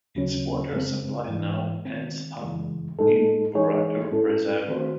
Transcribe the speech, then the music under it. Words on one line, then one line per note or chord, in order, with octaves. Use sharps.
Its water supply now ends up in Burrator Reservoir.
D#2 C#3 F#3 C#4
F#2 C#3 G#3 C4
G#2 E3 G#3
D#3 G#3 C4
F#2 C#3 E3 G#3
A2 G#3 D#4 A4
E3 G#3 D#4 G#4 C#5
A2 G#3 C#4 E4 A4
D#3 A3 C4 F#4 C5